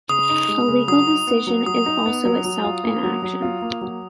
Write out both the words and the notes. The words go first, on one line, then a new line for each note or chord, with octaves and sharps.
A legal decision is also itself an action.
C#3 D#6
D#4
G#3
C#3
F#3 D#6
D#4
B3
F#3
F#3 D#6
D#4
B3
F#3
F#3
F4
A#3
F#3
F#3
F4
A#3
F#3